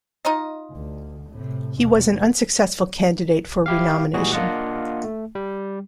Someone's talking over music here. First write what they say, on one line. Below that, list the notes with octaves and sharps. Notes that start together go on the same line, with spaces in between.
He was an unsuccessful candidate for renomination.
D#4 F4 D#5
D2
A2 C3
E2 B2
E4 G4 F5
A#2 E3 G3 G#3 F#4 G#4
A#3 D4 F4 D#5 F#5
A3
G3